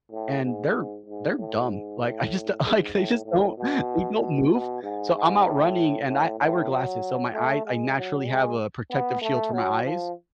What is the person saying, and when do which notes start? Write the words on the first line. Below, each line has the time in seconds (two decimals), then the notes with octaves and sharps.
and they're they're dumb, like I just like, they just don't they don't move, so I'm out running and I I wear glasses, so my eye I naturally have a protective shield for my eyes,
0.12 A2
0.44 G#2
1.06 G#2
1.38 A2
1.69 G#2
2.00 A2
2.63 G#2
2.94 A2
3.25 A2
3.57 B2
4.20 B2
4.52 B2
4.83 G#2
5.15 G#2
5.45 A2
6.09 A2
6.39 A2
6.71 F#3
7.33 A3
7.65 G#3
7.96 F#3
8.27 G#3
8.90 B3
9.22 A3
9.53 F#3
9.84 F3